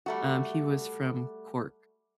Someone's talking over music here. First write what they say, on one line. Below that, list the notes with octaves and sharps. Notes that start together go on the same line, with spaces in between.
um, he was from Cork.
G3 A3 F#4